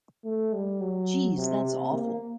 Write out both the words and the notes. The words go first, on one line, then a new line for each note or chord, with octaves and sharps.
Jeez, that's awful!
A3
G3
F#3
C3
C3
A#3